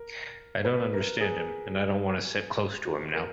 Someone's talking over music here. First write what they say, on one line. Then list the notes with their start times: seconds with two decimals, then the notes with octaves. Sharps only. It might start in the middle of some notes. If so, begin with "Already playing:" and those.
I don't understand him, and I don't want to sit close to him now.
Already playing: A#4
0.65 B4
0.93 A#4
1.21 G#4
2.85 F#4
3.14 A#4